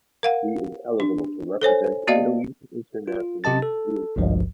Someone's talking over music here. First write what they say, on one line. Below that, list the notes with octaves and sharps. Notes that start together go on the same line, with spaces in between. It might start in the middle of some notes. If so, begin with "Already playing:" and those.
He is eligible to represent Italy internationally through his father.
A#4 F5 F#5
D4
A4 C5 C#5 G#5
A#3 B3 F#4 D5 D#5 F5
F4
C3 G4 D#5 A5 A6
A4
G#1 C#2 G2 F3